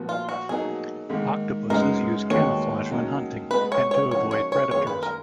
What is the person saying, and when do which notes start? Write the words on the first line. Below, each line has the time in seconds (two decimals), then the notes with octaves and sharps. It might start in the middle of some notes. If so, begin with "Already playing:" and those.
Octopuses use camouflage when hunting, and to avoid predators.
Already playing: A#2 F3 B3 F#4
0.09 F4
0.29 F#4
0.49 B2 F#3 A#3 D#4 G#4
1.09 G#2 D#3 A#3
1.70 F#2 C#3 G#3 B3 D#4 A#4
2.30 D#2 D#3 G#3 B3 F#4 C#5
2.91 C#3 F#3 A#3 D#4
3.51 B2 G#3 B3 B4
3.72 C#5
3.91 C#5
4.11 C#3 F3 A#3 D#4 F#4 C#5
4.31 C#5
4.52 C#5
4.71 F#2 D#3 A#3 F4 G#4 C#5
4.87 B4
5.03 A#4